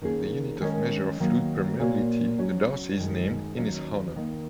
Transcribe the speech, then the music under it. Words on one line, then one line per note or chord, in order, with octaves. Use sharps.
The unit of measure of fluid permeability, the darcy is named in his honour.
D#3 A#3 C#4 G#4
D#3 G#3 C#4 A#4 C#5
D#3 F#3 A#3
A#2 A#3 F#4 C#5
F#3 C#4 F#4 C#5
F#2 D#3 G#3
D#2 D#3 F#3 C#4
D#2 D#3 A#3 D#4